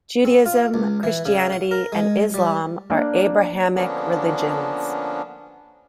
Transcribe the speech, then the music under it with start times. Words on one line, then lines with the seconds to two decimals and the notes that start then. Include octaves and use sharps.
Judaism, Christianity and Islam are Abrahamic religions.
0.25 C4
0.46 F4
0.74 C#2
1.03 E3
1.26 C#3
1.52 F#5
1.71 A#4
1.92 G#3
2.34 G3
2.90 A#3 D4
3.75 D3 F3 A#3 B3 C#4 D4